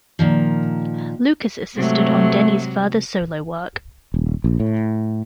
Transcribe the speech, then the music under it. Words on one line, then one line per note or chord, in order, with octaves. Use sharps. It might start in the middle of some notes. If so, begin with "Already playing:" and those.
Lucas assisted on Denny's further solo work.
A#2 D#3 F3
G#2 C3 F#3 A3
D#1
A#1
A2